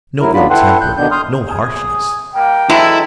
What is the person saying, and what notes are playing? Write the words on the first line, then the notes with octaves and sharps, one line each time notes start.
No ill-temper, no harshness.
D2 F#3 E4 A#4
F#2 F#3 B3 D4 F4 B5
E4 A4 B4 F#5 G5 C6
F#6 G6
B2 D3 D#3 B3 D4 G6
C6 D#6 F6 G6
G#4
G3 A#3 G5
E3 F#3 G#3 E4 A4